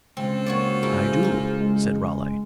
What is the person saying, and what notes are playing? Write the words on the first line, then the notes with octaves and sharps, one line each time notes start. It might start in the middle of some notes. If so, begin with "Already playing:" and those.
"I do," said Raleigh.
C#2 C#3 C4 F4 A4 C5
A#3 F#4 C#5 D5
A#3 E4 G#4
A#3 A#4
G#3